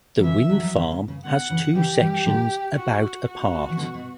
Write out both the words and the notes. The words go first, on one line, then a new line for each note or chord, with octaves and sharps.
The wind farm has two sections about apart.
F#3
C#3 E3 E5
D3 F#3
F#3
C#3 E3
C#3
C#3
B2 D3 F#5
C#3 E3
C#3 E3 G4
E3 G3
D3 F#3
F#4
F#4
E3
B2 D3
B2